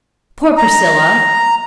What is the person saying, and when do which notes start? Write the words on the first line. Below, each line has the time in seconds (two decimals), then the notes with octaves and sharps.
Poor Priscilla!
0.57 A#5